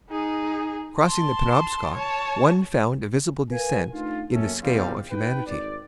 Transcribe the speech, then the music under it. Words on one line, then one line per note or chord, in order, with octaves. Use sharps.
Crossing the Penobscot, one found a visible descent in the scale of humanity.
D#4 G#4
A5 C6
C#5 A5
A#4 B4 F5 G#5
A3 D4 D#4 F4
F#2 A#3 B3 C#4 A4 E5
G1 E2 B2 G3 C4 F5
D#4 B4 G5
G#1 D5